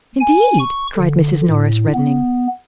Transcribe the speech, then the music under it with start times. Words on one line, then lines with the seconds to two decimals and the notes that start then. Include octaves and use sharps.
"Indeed!" cried Mrs. Norris, reddening.
0.20 G#5
0.59 C#6
0.97 D3
1.48 A2
1.94 B3